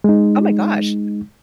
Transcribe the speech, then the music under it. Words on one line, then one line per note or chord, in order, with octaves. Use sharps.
Oh my gosh!
G#3 D#4